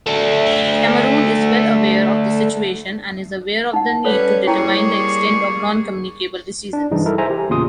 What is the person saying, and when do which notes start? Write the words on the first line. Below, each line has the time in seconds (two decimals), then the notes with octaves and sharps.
Cameroon is well aware of the situation and is aware of the need to determine the extent of non-communicable diseases.
0.07 A3 D4
3.73 D#4 F#5
4.05 G3 C#4 A4 B4 C#5 D5
4.47 G3 A#3 E4 G#4 C#5 G5 C#6
6.73 D4
6.91 C2 G2 E3 D#4 G#4
7.06 E4 A4 A#4
7.18 C5 E5 G#5 A#5 C6
7.30 G4
7.49 E2 A#2 C#3 C6 D#6